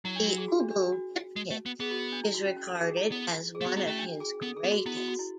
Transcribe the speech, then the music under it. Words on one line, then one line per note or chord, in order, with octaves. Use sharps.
"The Ubu diptych" is regarded as one of his greatest.
F#3 E4
D4
F#4
G#4
F#4
D4
D4
D4
F#4
G#3
A3
B3
B3 G#4
F#4
D4
E4
F#4
C#4
C#4
A4
G#4
E4
B3
G#4
A3
B3 F#4
B3 E4
A3 C#4
D4
G#4
B3 A4
G#4
B3
F#4
B3 E4
F#4
F#4
E4